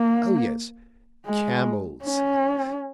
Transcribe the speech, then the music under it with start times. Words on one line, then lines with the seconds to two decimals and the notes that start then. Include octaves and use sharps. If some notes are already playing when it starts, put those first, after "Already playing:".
Oh yes, camels.
Already playing: A#3
1.26 G#3
2.05 C#4